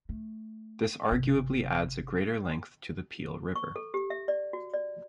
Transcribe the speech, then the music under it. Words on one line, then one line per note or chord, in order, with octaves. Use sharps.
This arguably adds a greater length to the Peel River.
A3
G1 C3
C#6
A4
G4
E5
D5
F#4
D5